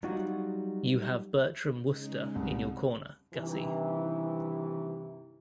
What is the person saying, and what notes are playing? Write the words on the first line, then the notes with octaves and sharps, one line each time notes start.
You have Bertram Wooster in your corner, Gussie.
F#3 G3 D#4 F4 F#4
C#3 G#3 D#4
C2
G2 C3 D#3 E3